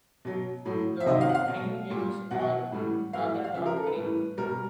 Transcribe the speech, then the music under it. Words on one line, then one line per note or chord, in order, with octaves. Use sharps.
The hindwings are rather dark grey.
B2 F#3
A2 F#3
E5
C3 D#3 F#3 D#5
F5
F#5
F5
B2 F#3
A#2 G3
B2 F#3 F#5
A2 E3 G3
A2 F#3 F5
F#5
F5
C#3 F3 E5
A#4
A4
B4
A2 E3 G3
B2 G3 A#4